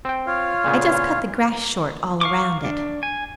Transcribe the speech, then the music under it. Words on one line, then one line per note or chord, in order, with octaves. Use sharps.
I just cut the grass short all around it.
C4 G5
F4 C#5 F5
A#2 C#3 B3
F5 C#6 D6
D4
G#5